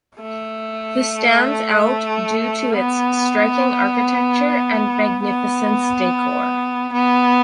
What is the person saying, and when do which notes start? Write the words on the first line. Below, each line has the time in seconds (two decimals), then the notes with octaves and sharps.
The stands out due to its striking architecture and magnificence decor.
0.21 A3
2.73 B3
5.25 B3
6.93 B3